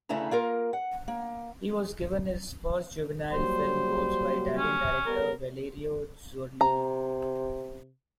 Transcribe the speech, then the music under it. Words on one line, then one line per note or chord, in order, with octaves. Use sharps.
He was given his first juvenile film roles by Italian director Valerio Zurlini.
D2 C#3 A3 E4 B4 A#5
A#3 F4 A#4
F#5
A#3
F#3 G3 A#3 C5
C#4
G3 B3 A4 A#4
C3 A#5